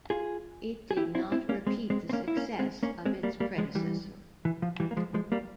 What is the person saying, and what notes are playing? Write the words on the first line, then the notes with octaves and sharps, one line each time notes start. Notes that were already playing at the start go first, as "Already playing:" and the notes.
It did not repeat the success of its predecessor.
F4 G#4
G#4
E4 G4
C4 E4
C4 E4
A#3 C#4
G#3 C4
G#3 C4
C4
A#3 C#4
E4
A#3 C#4
G#3 C4
A#3 C#4
G#3 C4
G3 A#3
G3 A#3
F3 G#3
E3 G3
E3
F3
E3 G3
A#3
F3 G#3
F3 G#3
G3 A#3